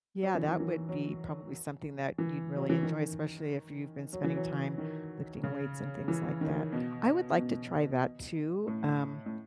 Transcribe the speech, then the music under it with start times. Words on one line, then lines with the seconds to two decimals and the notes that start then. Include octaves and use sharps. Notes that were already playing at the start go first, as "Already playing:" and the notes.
Yeah, that would be probably something that you'd really enjoy, especially if you've been spending time lifting weights and things like that. I would like to try that too, um,
0.23 F#3
0.35 E3
0.48 D#3
0.60 E3
0.89 F#3
2.18 E3
2.56 F#3
2.70 E3
2.83 D#3
4.13 F#3
4.24 E3
4.36 F#3
4.78 D#3
5.44 C#3
6.08 E3
6.41 D#3
6.73 B2
7.38 B2
8.67 A2
9.26 A2